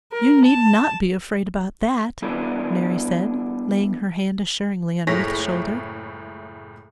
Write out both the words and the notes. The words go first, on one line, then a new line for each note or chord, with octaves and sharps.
"You need not be afraid about that," Mary said, laying her hand assuringly on Ruth's shoulder.
A#4
A5
G3 B3 D4 E4 G#4
F#1 C#2 A2 C#5 A#6 B6